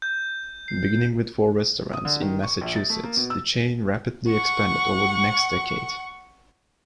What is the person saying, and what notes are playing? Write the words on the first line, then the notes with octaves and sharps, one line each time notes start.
Beginning with four restaurants in Massachusetts, the chain rapidly expanded over the next decade.
G6
C7
D#6
D3
D#3
C#6
A#1
A6
A3
A#3
B2
E6
F#5 C#6